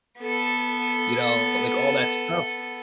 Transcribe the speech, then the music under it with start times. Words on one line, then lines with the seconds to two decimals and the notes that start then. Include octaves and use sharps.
you know, like, all that stuff?
0.20 B3 A4